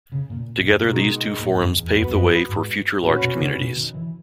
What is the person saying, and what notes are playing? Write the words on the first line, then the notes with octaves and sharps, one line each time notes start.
Together, these two forums paved the way for future large communities.
C#3
A#2
A#2
G#2
B2 D#3 G#3 D#4 F#4
A#2
G#2
F#2
E2
F#2 B3 F#4 B4
E2
F#2
G#2
A#2 C#4 F#4 B4
B2
C#3
B2
D#3
E3